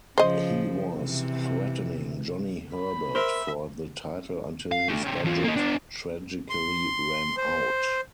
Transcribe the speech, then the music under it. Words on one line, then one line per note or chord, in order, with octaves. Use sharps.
He was threatening Johnny Herbert for the title until his budget tragically ran out.
C#3 F3 C5 D#5
C3 E3
B5
A#4 C5 E5
F5
D3 A3
C#3 G4
E2 F4
A#3 D#4
B3 D4
C6
C5